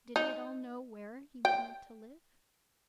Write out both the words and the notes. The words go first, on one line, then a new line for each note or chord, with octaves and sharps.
Did he at all know where he wanted to live?
D#4
G5